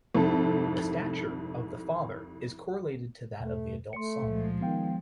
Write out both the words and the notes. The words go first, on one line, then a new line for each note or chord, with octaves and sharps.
The stature of the father is correlated to that of the adult son.
C2 F2 G#2 A4
E2 B2 A3
A3 C6 C#7
C#2 A#2 F3 G#3
D#3 B3 F5 G5